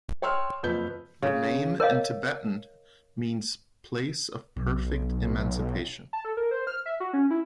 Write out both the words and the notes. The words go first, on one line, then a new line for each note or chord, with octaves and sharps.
The name in Tibetan means "Place of Perfect Emancipation".
C#5 G5 C6 E6 F6
F#1 F2 B4 G6
C#3
A#4 C#5 D#5 F5
B1
A5
A4
A#4
C5
F6
E5
F#4
C#4
E4